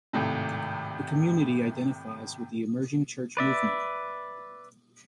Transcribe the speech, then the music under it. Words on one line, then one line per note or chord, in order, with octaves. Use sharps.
The community identifies with the Emerging Church movement.
G#1 A2 C3
B4 D5 E5